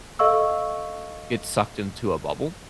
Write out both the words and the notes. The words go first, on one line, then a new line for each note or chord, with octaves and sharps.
get sucked into a bubble.
A4 D#5 F5 C#6 E6